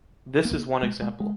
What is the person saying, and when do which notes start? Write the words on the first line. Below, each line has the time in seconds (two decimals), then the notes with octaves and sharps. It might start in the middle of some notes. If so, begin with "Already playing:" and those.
This is one example.
0.45 A#3
0.83 G#3
1.02 G#3
1.20 G#3